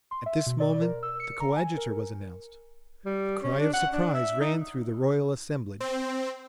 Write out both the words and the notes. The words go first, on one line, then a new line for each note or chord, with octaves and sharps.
At this moment the coadjutor was announced; a cry of surprise ran through the royal assemblage.
C6
E5
B2
D5
A#4
E6
C#7
A#5
G#5
A#4
G3
C#4
D4
F#5
D4
E5
D#4
C4